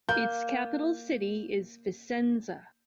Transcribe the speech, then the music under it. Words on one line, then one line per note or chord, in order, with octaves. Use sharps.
Its capital city is Vicenza.
A#3 G6